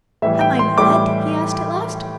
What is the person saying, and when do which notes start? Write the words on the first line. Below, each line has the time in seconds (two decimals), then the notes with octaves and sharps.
"Am I mad?" he asked at last.
0.22 A2 E3 G3 E5
0.41 G5
0.59 C6
0.78 A2 E3 G3 D6